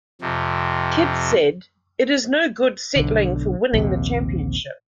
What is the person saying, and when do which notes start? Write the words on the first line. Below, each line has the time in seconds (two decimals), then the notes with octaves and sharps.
Kidd said: It is no good settling for winning the championship.
0.21 F2 C3
2.96 B1 D3
3.73 A#1 D#2 C3